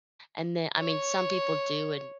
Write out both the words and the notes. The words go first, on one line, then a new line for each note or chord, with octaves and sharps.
and then I mean, some people do and,
C#5